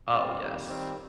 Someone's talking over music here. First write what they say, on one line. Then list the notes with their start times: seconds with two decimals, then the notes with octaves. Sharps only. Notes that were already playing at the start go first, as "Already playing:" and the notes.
Oh, yes.
0.09 A#2 G3 C4 F4
0.39 F2 D#3 G3 A#3
0.68 D#3 G3 C4